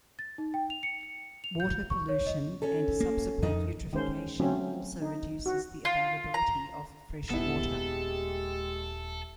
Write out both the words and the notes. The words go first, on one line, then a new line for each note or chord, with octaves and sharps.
Water pollution and subsequent eutrophication also reduces the availability of fresh water.
A6
D#4
G5
F7
C#7
F7
G6
C#6
C#5
D#5
C#4 A4
A#3
F2 D#3 D#4 D#5
D#3 G#3 C#4 C5
F#3 A3 C4 C#4 F4
D#4
F#4
F4
A#5
D#1 G#3 B3 E4 G4 A4